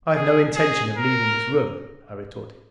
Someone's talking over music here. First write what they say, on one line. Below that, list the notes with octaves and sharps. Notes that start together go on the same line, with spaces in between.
"I have no intention of leaving this room," I retorted.
G#4
G#4
A#4